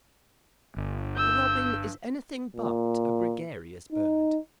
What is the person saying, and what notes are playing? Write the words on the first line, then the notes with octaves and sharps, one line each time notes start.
The robin is anything but a gregarious bird.
G1
E6 G6
A#2
D#4